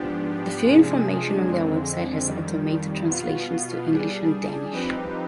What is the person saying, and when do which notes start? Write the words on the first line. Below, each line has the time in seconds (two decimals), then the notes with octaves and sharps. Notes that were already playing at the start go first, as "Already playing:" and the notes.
The few information on their website has automated translations to English and Danish.
Already playing: G#2 F3 B3 D4 G4
0.64 C3 F3 G#3 D4 G#4
1.46 F2 D3 G#3 C4
2.26 F2 D#3 G3
3.08 B2 B3 F4
3.89 G3 D4 G#4
4.71 F3 C4 D#4 G4 B4